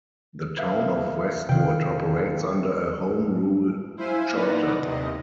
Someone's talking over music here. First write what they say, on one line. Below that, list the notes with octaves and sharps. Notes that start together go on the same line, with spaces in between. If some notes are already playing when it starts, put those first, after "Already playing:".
The town of Westwood operates under a home rule charter.
B4 E5 F5
C3 D#3 F5 G5
E4 C5 E5 F5 G#5
A#2 B3 D#4 B4 D5 A#6
D#2 C3 D#5